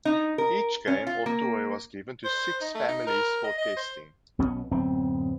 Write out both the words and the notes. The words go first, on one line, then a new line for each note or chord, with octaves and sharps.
Each game or toy was given to six families for testing.
D#4
A#4
C#4
F4
A#3
C5
D#4
A3
D#4
A#4
D#5
D#5
C5
B1 B2 B3 C#4
D1 F#2 B3 C4